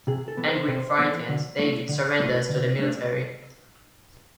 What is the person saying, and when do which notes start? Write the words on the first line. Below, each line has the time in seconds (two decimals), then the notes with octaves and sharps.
Angry and frightened, David surrenders to the military.
0.07 C3 G#4
0.28 A4
0.37 E3 B3
0.47 C5
0.68 C3 C5
0.99 E3 B3
1.29 D3
1.59 A3 E4
1.89 D3
2.20 A3 E4
2.49 D3
2.79 A3 D4